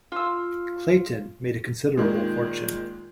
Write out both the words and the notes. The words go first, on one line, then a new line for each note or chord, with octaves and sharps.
Clayton made a considerable fortune.
F4 E6
A#2 D#3 G#3